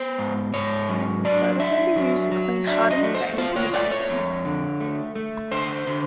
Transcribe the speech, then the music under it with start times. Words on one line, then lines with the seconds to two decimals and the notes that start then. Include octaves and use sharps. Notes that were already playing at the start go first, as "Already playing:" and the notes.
Soda can be used to clean hardened stains in the bathroom.
Already playing: B3 C5
0.18 G#2
0.54 G#2 C#5
0.89 F#3
1.25 D4 D5
1.60 D4 E5
1.96 F#3
2.31 F#3
2.67 D4 E5
2.91 D#5
3.03 A3
3.14 C5
3.38 F4 C5
3.56 C#5
3.74 A3 D5
3.91 C#5
4.10 F2
4.45 D3
4.80 A3
5.15 A3
5.51 D3 C5
5.87 D3